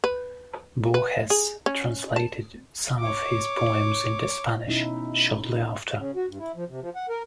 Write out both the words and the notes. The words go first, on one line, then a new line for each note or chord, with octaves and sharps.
Borges translated some of his poems into Spanish shortly after.
B4
B4
G#4
C#4
A5
C#5 D6
B2 C#4 D#4 E4
C#3
F#4
G2
E4
F3
C3
F3
F#5
A#4